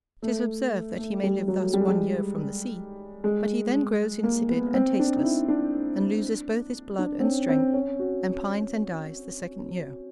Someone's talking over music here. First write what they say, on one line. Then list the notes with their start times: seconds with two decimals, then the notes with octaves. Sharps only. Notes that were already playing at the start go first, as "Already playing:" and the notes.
'Tis observed, that he may live thus one year from the sea; but he then grows insipid and tasteless, and loses both his blood and strength, and pines and dies the second year.
0.22 A3
0.98 A3
1.23 G3
1.48 F#3
1.74 G3
1.81 G#3
1.88 G3
3.24 G#3
4.23 A#3
4.49 B3
4.74 C4
4.99 D4
5.16 D#4
5.23 E4
5.48 D4
6.99 D4
7.20 C4
7.24 C#4
7.49 C4
7.74 C#4
7.99 F#4